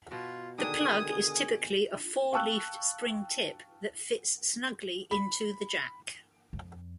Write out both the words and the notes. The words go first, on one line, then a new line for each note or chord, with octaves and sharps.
The plug is typically a four-leafed spring tip that fits snugly into the jack.
B2 F4 F#4
D3 D#3 D4 G#4 A#4 G#5 D#6
F5 G5 A5 C#6 E6 F#6
B5
F2